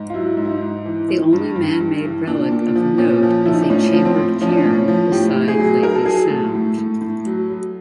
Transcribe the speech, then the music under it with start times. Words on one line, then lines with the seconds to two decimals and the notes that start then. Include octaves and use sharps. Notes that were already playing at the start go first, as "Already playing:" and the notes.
The only man-made relic of note is a chambered cairn beside Lavey Sound.
Already playing: G#2
0.10 F4
0.14 F#3 E4
0.37 G#2
0.45 E4
0.49 D#4
0.61 G#2
0.86 E3
1.08 E3
1.33 G2
1.56 G2
1.80 G2
2.04 E3
2.27 A#2 D4
2.52 A#2
2.75 F3
2.98 A#2 C#4
3.23 F3
3.45 F3 E4
3.53 D#4
3.62 D4
3.70 A2 C#4
3.93 F3
4.05 C4
4.17 A2
4.41 F3 C#4
4.49 D4
4.57 C#4
4.65 A2
4.88 F3
5.12 A2 G4
5.36 A2
5.48 G#4
5.59 F#3
5.83 F#3 A#4
5.95 A4
6.06 F#3 G#4
6.17 A4
6.30 A2
6.55 A2
6.78 A2
7.01 A2
7.26 F#3
7.50 F#3